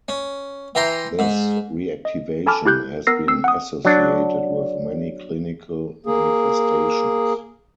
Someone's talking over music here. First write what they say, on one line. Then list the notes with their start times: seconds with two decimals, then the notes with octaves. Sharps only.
This reactivation has been associated with many clinical manifestations.
0.08 C#4
0.75 E3 G5 A#5 C6
1.19 G#2
2.05 D#5
2.46 A4 G#5 A5 B5 D6 F6
2.65 E4 G4 F#6 G6
3.07 B3 A#4 E6 A#6 C7
3.28 C4 E6 C7
3.44 F#5 D#6
3.85 F#3 D4
6.06 A#3 G#4